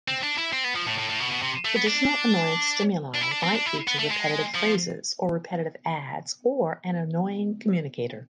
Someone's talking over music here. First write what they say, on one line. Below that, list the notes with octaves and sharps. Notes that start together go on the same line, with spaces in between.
Traditional annoyance stimuli might feature repetitive phrases or repetitive ads or an annoying communicator.
C4
D4
E4
C4
B3
F3
A2
A2
A2
B2
B2
C3
A3
B3
D4
D4
E4
D4
C4
D4
E4
B3
A3
G#3
F3